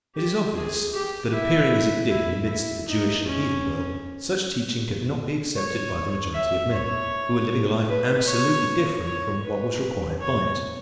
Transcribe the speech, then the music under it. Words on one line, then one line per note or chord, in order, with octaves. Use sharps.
It is obvious that, appearing as it did in the midst of the Jewish and heathen world, such teaching could not be accepted by the majority of men, who were living a life absolutely different from what was required by it.
G4
G#4
G4
E4
E4
E4
D#4
C#4
C#5
E5
C#5
B4
C#5
C#5
B4
C#5